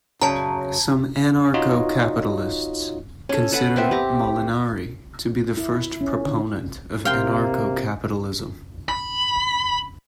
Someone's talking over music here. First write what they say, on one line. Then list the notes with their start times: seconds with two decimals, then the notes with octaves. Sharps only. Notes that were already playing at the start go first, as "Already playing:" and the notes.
Some anarcho-capitalists consider Molinari to be the first proponent of anarcho-capitalism.
0.22 F#2 C#3 A5 A#5
1.54 D#4 F4 F#4 C#5 D#5
3.29 C#4 A4
3.52 A4 B4 F#5
3.76 B3 C4 E5
3.91 G4 A#5
5.57 E4
6.01 C#4
6.26 D3
7.05 C3 A#3 F5 G5 C6
8.89 B5